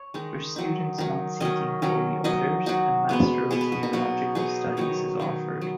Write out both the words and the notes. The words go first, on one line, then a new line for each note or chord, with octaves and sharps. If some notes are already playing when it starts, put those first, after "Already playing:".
For students not seeking Holy Orders, a Master of Theological Studies is offered.
Already playing: C#5
D#3 G#3 D#4
D#3 F#3 D#4
D#3 F#3 D#4
D#3 F#3 C#4 D#5
D#3 F#3 C#4
F#3 D#4 D#5
F#3 D#4 F#4
B2 G#3 B3
B2 G#3 B3 G#4
B4
F#4
D#4
B2 F#3 D#4 F#4
B2 F#3 D#4 G#4
D#3 F#3 D#4 C#5
D#3 F#3 D#4
F#3